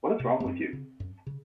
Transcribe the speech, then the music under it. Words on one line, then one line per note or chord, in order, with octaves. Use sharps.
What is wrong with you?
C3
A#3
F#2 C4
C#3
F#2
C#3